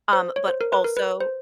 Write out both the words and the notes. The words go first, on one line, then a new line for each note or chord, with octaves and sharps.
Um, but also
C5
C#5
C5
A#4
B4
A#4
B4
C5